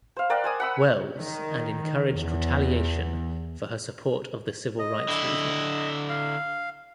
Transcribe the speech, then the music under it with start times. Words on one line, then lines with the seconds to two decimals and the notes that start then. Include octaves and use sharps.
Wells and encouraged retaliation for her support of the civil rights movement.
0.17 C5 F5
0.30 A#4 D5 F#5 G5
0.44 C5 G#5 D#6
0.60 F#5 B5 E6
1.17 D#3
2.12 E2
4.79 D#5
5.08 D3 E4
6.09 F5